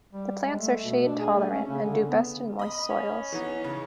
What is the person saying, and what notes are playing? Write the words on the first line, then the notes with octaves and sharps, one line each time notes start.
The plants are shade-tolerant and do best in moist soils.
G3
G#3
A3
B2
D4
G#4
A3
C#4
C#3
D3
B3
D#5 B5
C#4
E3 B3 D#4
C#3